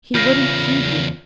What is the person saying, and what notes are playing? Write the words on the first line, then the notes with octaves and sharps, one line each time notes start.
"He wouldn't heed you."
E2 C#3 F4 F6 A#6